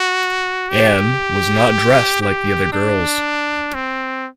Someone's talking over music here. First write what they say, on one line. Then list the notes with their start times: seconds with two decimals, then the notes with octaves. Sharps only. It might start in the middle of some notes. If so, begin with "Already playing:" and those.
Anne was not dressed like the other girls!
Already playing: F#4
0.69 G4
2.22 G4
2.73 D4
3.74 C4